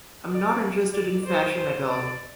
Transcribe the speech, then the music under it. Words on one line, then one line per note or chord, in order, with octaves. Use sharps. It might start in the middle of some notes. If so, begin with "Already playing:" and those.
I'm not interested in fashion at all.
D5
D5
C5
C5
D5